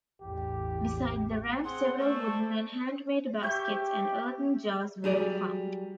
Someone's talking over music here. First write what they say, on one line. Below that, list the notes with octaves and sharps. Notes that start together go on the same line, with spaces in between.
Beside the ramp several wooden and hand-made baskets and earthen jars were found.
A1 E2 G4
C4 G#4 F#5 C6
A3 A4 C5 D5 C#6
G4 E5 C#6 G6
F#3 G3 G#4 D5